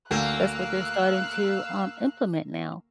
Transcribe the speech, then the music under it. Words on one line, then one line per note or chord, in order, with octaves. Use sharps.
That's what they're starting to, um, implement now.
D2 A#3 F5 E6 F#6